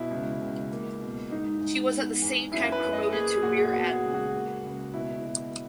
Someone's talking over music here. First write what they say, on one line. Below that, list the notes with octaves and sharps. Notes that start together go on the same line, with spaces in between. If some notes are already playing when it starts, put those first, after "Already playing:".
She was at the same time promoted to rear admiral.
Already playing: B2 E4
C#2
C#2
A#3
B2
G#2 D#4
G#2
B3
E2
F#2 E4
B4
F#2
D#5
A#3 G#4
A#2 F#4
B3 F#4
G#4
C#2
F#4
A#3
C#2
B2 E4
B2